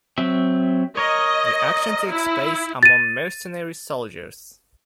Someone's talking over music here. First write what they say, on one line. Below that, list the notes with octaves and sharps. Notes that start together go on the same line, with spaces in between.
The action takes place among mercenary soldiers.
F#3 C4 E5
A#4 C#5 D#5
E4
A6 D#7